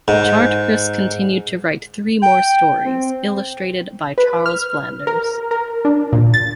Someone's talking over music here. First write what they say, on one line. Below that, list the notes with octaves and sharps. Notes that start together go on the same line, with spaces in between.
Charteris continued to write three more stories, illustrated by Charles Flanders.
G#2
G5
C4
B4
F6
A#4
A#4
D4
A#2
A6